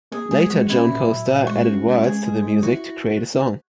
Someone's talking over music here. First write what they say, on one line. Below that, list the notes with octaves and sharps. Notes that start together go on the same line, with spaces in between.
Later Joan Costa added words to the music to create a song.
A#3 G#4
G#3 G#4
G#3 F#4
C#4 E4
A#2
F#3
A#2
G#3 F#4
C#4
G#3
G#3 G#4
G#3
G#3
E4 F#4